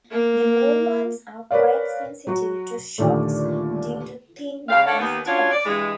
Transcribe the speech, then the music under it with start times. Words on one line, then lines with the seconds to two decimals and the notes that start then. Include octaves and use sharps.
The movements are quite sensitive to shocks due to thin balance staff.
0.11 A#3
1.51 A#4 B4 C#5 D5 F5
2.27 F#3 F#4
2.98 D#2 A#2 D3 A3
4.69 C#3 G4 F5
4.87 D4 A4 C#5 F5 F#5
4.99 D#2 B3
5.26 C#4 D4 F4 F#4 C#5
5.51 D5
5.65 G2 E3 G#3